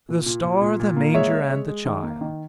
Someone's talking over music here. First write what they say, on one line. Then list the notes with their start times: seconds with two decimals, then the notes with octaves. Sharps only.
"The star, the manger, and the Child!"
0.09 A#2
0.26 A#2
0.44 A#2
0.61 A#2
0.80 A#2
0.97 A#3
1.14 G#3 C#5 E5
1.32 G#3
1.50 G#3
1.67 G#3
1.86 D#3
2.03 A#3
2.21 D#3